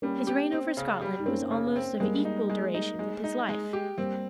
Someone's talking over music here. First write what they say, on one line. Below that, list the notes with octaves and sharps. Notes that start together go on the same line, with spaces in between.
His reign over Scotland was almost of equal duration with his life.
G3 A#3 C#4
G4
C4
C#3
G3
D#4
A#3 C4 C#4
C#3
C4
G3 G#3 A#3
D#4
G#3
D#4
G#3
D#4
G#3
G4
G3 A#3 C4